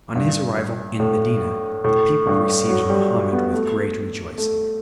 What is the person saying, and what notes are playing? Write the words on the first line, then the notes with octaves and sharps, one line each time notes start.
On his arrival in Medina the people received Mohammed with great rejoicing.
G2
A2
A2
G2
F#3
G3
B3
A3
A3